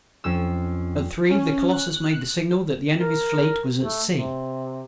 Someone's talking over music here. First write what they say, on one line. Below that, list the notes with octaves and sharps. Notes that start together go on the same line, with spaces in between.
At three the Colossus made the signal that the Enemy's Fleet was at sea.
F2 C#4 E6
C#4
F#6
A#4
A3
C3